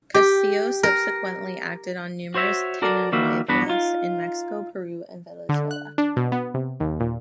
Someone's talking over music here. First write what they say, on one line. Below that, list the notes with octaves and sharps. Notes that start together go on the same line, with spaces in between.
Castillo subsequently acted on numerous telenovelas in Mexico, Peru and Venezuela.
G4
A#4
F#4 C5 C#5 E5
F#4 A4 A#4 D5
D#3 G3 A#3 F#4 E5
E2 G2 B3 D4 F#4 B5
D#4 F4
D3
F#6
D4
B2
B3
C3
D#2
A#2